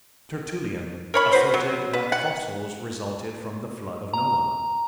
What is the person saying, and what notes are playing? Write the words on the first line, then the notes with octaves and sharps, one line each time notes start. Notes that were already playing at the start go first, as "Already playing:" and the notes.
Tertullian asserted that fossils resulted from the flood of Noah.
A#4 C#5 B5
F#4 B4 C5
F#3
B4
F#5
A#5